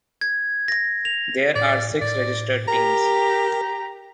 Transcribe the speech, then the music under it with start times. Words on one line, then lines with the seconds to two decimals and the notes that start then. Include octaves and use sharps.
There are six registered teams.
0.21 G#6
0.68 A#6
1.05 F7
1.56 A2 D5
2.02 A2 D5
2.68 G4 A#4 A#5